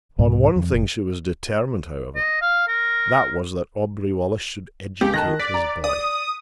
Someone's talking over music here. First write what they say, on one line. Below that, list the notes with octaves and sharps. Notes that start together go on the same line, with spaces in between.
On one thing she was determined, however: that was that Aubrey Wallace should educate his boy.
C2 G#2 B3
F2
F1
D#5
F5
A#4
C#2 G4
D#3 A5 F#6 A#6
D5 B6
A#5
D5 D#6